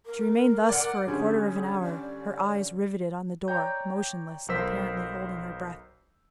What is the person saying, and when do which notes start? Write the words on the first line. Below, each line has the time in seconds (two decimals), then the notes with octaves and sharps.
She remained thus for a quarter of an hour, her eyes riveted on the door, motionless and apparently holding her breath.
0.06 A#4
0.69 D5 F#5
1.07 D3 G3 C#4 G#4
1.82 D5
3.48 C#5 D5 G5 A#5 G6
4.48 B1 B3 A#4 C5 E6 B6